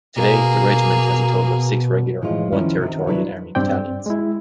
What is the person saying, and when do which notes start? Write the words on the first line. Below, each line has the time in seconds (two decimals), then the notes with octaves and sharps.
Today, the regiment has a total of six regular and one Territorial Army battalions.
0.16 B2 A#3 G#4
2.22 A2 E3 F3 G#3 D#4 F4
2.52 D#3 F3 B3 C#4 E4
2.79 C3 D#3
3.07 F#3 C4 D4 E4 B4
3.55 G2 C4 D5 G5
4.06 G#3 E4